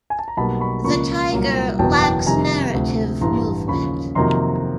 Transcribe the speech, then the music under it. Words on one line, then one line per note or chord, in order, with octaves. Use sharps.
"The Tyger" lacks narrative movement.
G#5
A5
A#5
B1 B2 G3 A#3 A5 B5
B5 C#6
C#2 C#3 F3 A#3 B5 C#6
C2 A#2 F#3 A#3
F#1 E2 B2 F#3 B3 G5 A5
G5 A5
F2 C3 D#3 G3 G#5 A#5
D2 C3 F3
A1 G2 E3 G3 A#5 C6
D#2 C#3 F3 B5 C#6
F2 C3 D#3 F#3 A#3 A#5 C6